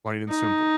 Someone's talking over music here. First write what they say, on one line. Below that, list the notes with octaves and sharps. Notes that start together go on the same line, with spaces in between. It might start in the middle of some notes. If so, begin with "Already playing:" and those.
Plain and simple.
D#4